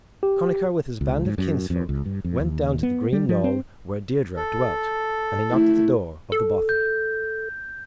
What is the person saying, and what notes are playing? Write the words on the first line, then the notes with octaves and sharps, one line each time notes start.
Connachar with his band of kinsfolk went down to the green knoll where Deirdre dwelt and he knocked at the door of the bothy.
G4
C#2
G#2
F#2
F2
C#2
G2
F2
D#2
B3
G3
F3
C4
A4
A3 E4
A4
G6